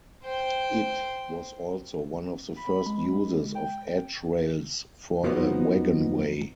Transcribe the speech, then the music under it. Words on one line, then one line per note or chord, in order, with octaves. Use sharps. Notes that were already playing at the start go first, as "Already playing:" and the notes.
It was also one of the first uses of edge-rails for a wagonway.
C5 G5
B5
G#3
G5
F2 F3 F#3 B3 D#4